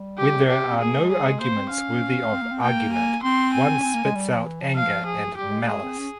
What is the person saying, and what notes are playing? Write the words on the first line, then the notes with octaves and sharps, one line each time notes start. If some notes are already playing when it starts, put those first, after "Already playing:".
When there are no arguments worthy of argument one spits out anger and malice.
Already playing: G3
G4
G4
C4
A#3 G#4
G#3
G3 G#4
G#3
A#3 C5
C4
C#4 F5
C4
A#3
C4
A#3 G5
G#5
C4 C6
G#5
C#4
C4
A#3
G#3
G3
F3
E3
F3
F5
G#4
G3 G4
G#3
A#3
G#3 G#4
C4
C#4